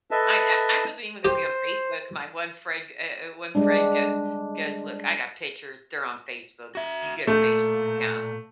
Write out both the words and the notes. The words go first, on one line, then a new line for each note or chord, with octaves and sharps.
I I I wasn't even gonna be on Facebook, my one friend uh, one friend goes goes, "Look, I got pictures, they're on Facebook, you get a Facebook account."
A4 B4 D#5 E5 A5
G4 C5
G3 G#3 D4
F#4 E5
A#2 A3